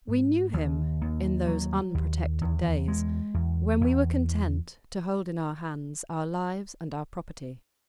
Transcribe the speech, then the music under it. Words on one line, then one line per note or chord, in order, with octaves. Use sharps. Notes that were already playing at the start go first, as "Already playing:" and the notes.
We knew him in those unprotected days when we were content to hold in our hands our lives and our property.
G#2
D#2
D#2
F#3
D#2
E2
G#3
E2
E2